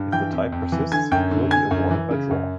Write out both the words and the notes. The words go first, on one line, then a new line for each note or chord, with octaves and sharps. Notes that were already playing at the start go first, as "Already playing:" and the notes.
If the tie persists, it will be awarded by draw.
Already playing: G2
E3 G5 G6
F2
F2
E3
D3 G#5 G#6
F#2 G5 G6
D3
D3 G#5 G#6
F#2
E3
C#3
F#2